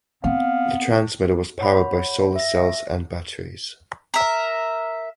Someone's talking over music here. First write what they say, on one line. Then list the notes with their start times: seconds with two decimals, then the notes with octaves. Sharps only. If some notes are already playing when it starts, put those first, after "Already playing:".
The transmitter was powered by solar cells and batteries.
0.24 B3 C4 F5
1.59 C#5 F#5 B5
2.36 E5 A#6
4.14 A#4 E5